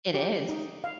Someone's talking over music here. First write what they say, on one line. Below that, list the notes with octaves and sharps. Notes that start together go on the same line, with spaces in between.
It is.
G4
D#4
F5